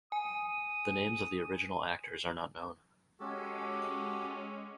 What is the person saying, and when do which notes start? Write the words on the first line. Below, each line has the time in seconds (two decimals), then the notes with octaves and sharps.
The names of the original actors are not known.
0.12 G#5 D#6
3.20 G#3 C#4 F#4 G4 A4